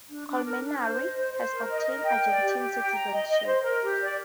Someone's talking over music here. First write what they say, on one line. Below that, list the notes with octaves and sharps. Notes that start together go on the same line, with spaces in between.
Colmenares has obtained Argentine citizenship.
D4
D4
A#4
D4
C5
D#5
C5
C5
A#4
D#5
A#4
G5
D5
G4
G4
G5
A#5
D#5
D#5
C5
A#4
G4
D5